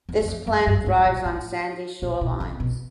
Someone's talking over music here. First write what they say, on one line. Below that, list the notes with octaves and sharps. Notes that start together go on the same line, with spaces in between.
This plant thrives on sandy shorelines.
E2
F#2
F2
F#2
G2
G#2
A#2
A2
A#2
B2
C#3
B2